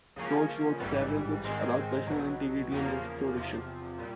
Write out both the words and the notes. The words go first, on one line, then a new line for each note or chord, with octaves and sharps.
Dortch wrote several books about personal integrity and restoration.
C#2 C#3 F3 A#3 C#4
A1 G#2 E3 G3
G#2 D#3 G#3 C4
B1 B2 F#3
E2 C#3 F3 A#3
E2 C3 F3
A#2 G3